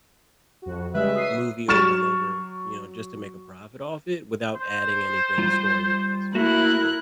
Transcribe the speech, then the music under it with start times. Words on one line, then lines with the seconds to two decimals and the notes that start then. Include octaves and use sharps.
movie over and over, you know, just to make a profit off it without adding anything story-wise, honestly.
0.62 F2 F#4
0.94 C#3 G3 G#3 B4 E5
1.13 F#3 D#6 C7
1.68 F#3 C#6 F6 A6 E7
4.56 C5
5.38 G3 F4
6.35 A3 A#3 E4 F#4 A#4 F#6